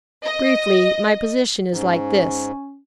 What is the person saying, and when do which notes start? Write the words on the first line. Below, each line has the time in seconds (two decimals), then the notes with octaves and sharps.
Briefly, my position is like this.
0.24 D#5
1.72 G#2 C#4